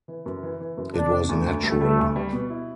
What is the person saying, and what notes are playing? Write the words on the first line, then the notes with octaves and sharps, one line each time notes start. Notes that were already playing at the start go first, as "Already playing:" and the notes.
It was natural.
E3
F#2
E3
E3
F#2
C3 D4
C3
D2
D2
G3 A3
G3
D2
G3
B2
E4